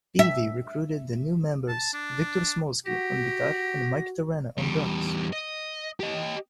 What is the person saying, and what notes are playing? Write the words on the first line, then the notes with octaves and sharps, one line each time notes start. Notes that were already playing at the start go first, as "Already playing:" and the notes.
Peavy recruited the new members Victor Smolski on guitar and Mike Terrana on drums.
E5
A5
D4
F#4 G4 A#6
E2 G3
D#5
G4 D#5